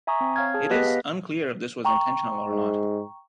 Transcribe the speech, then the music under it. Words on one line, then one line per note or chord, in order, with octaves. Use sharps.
It is unclear if this was intentional or not.
E5 G#5 A#5 C#6 D#6
C4
C#5 F5 F6 G#6
G#4 A5
B3 G4 B4 D#5 F#6 B6
F5
G5 A#5 C#6
G#2